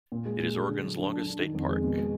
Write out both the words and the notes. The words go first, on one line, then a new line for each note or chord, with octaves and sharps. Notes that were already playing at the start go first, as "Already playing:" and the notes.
It is Oregon's longest state park.
A#2
G#3
A#2
D4
D3
F#3
D3
D4
D4
D#3
F2
G#3
B2
G#3